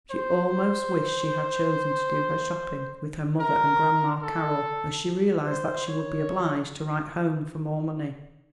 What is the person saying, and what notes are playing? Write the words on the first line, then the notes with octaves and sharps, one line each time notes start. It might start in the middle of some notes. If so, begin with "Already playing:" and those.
She almost wished she had chosen to do her shopping with her mother and Grandma Carroll, as she realised that she would be obliged to write home for more money.
C5
A#4
A4
C5
C#5